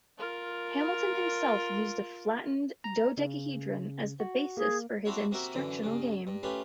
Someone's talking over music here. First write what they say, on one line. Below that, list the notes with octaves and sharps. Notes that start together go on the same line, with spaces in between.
Hamilton himself used a flattened dodecahedron as the basis for his instructional game.
F4 A#4
A#5
C#3
F#4
A#3 G#4
C4 D4 E4 F#4 C#5
C3 A#3 F#4 A#4 E5
F#2 D3 E3
G2 C#3
G2
A3 C#4 F4 G4 B4